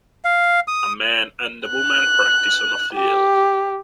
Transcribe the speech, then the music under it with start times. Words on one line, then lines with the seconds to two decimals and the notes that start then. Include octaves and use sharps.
A man and a woman practice on a field.
0.25 F5
0.68 D#6
1.67 F#6
2.93 G4